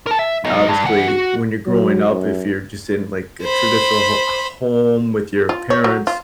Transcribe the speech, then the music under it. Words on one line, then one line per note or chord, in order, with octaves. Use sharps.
Obviously, when you're growing up, if you're just in, like, a traditional ho home with your parents
A#4 A5
E5
F#3 D#5
G2
E3 F#5
F#4
F#3
F#2
C5 B5
F4
C#5
F#3
F4